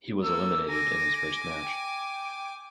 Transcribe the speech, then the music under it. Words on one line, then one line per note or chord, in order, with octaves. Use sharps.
He was eliminated in his first match.
A#3 A4 E6
G#5 D6 A#6
G5